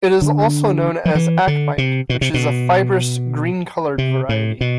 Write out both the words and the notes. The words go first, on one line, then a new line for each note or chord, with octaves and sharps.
It is also known as acmite, which is a fibrous, green-colored variety.
D3
F3
E3
D3
C3
B2
C3
B2
C3
A2
B2